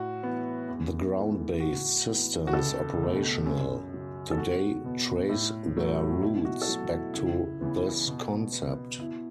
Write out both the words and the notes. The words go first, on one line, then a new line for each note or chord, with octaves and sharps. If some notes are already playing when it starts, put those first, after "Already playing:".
The ground-based systems operational today trace their roots back to this concept.
Already playing: A2 F#4
E3 B3
E2
E3 A3
A2 F#4
E3 B3
F#4
C#2 A4
B2 A3
F#2
C#3 F#3
A4
E2 F#4
B2 B3
A2
F#3 A3
B2 E4
F#4
A4
F#3 A3 F#4
E4
C#2 E4
C#3 E3 B3
B2
B3
B2 E4